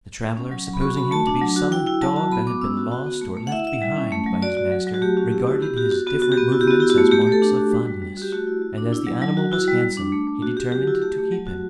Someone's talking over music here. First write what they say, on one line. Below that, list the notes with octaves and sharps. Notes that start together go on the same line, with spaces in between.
The traveller, supposing him to be some dog that had been lost or left behind by his master, regarded his different movements as marks of fondness; and as the animal was handsome, he determined to keep him.
A3
C#4
F#3
F#3
B5
F#4 C#6
F#4 B5
A3 A5
D4
F#3
F#4
E4 G5
E4 G5
F#3 A5
F#4 A5
B3 B5
B3 D6
C#4 E6
F#4
F#4
B3
A3
A3
F#5
E4 E5
E4 E5
G3
C#4
A3
F#3
F#4 D5
F#4
F#3
F#3
F#4
A3 G4
C#4 F#4
E4 G4
E4 F#4
B3 G4
F#4 G4
F#4
B3 F#4
B3 F#4
G4
B3
E4 F#4
G4
B3 F#4
E4 G4
F#4
A3
A3 G4
G4
A3
A4
D4 G4
F#4
G3
G3
G3
F#4 G4
A3 F#4
E4
F#4
D4
E4
F#3
F#3
F#4
E4 F#4
G3
G3
D4
A3
A3
F#4
F#4 G4
F#3 G4
E4 F#4
A3 G4
A3
F#3
F#4